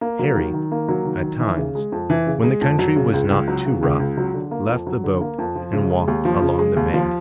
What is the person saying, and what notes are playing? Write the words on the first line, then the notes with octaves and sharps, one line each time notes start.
Harry, at times when the country was not too rough, left the boat and walked along the bank.
A#3
F#3
D#3
D#3
A#3
F#3
D#3
D#3
E3
C#3
G#3
F2
E3
C#3
G#3
F2
F#3
C#3
C#2
C#2
F#3
C#3
C#2
C#2
F#3
D3
A#3
F2
F#3
D3
A#3
F2
F3
C#3
G#3
D#2
F3
C#3
G#3
D#2
F3